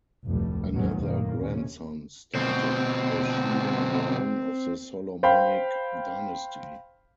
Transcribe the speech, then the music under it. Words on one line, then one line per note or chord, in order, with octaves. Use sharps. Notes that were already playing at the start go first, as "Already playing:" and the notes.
Another grandson started the Shewan line of the Solomonic dynasty.
F1 D2 A2 G3
A1 E2 D#3 F#3 C#4
A#1 F#2 A2 D#3 A#3
D#2 C3 C#4
D2 B2 C4
C5 F5 G5 B5